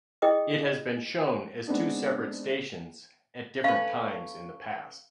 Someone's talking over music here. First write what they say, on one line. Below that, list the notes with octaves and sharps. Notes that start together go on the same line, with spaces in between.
It has been shown as two separate stations at different times in the past.
E4 G#4 D#5 G5 D#6
G#3 B3 C4 D4 D#4
C#4 A4 B4 F5